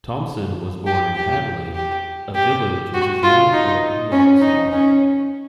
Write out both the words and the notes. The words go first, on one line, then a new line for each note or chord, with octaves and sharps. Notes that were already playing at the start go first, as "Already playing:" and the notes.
Thompson was born in Hadley, a village which is now part of Yoxall.
G4
G4
G4
G4
F#4
F4
D#4
C#4
D#4
C#4